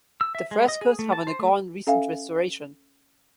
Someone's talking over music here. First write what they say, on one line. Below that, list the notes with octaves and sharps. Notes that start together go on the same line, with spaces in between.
The frescoes have undergone recent restoration.
E6
E5
G#3
D#5
G#4
A3
A5
C5
A3
C#4 A4 E5 F5 G#5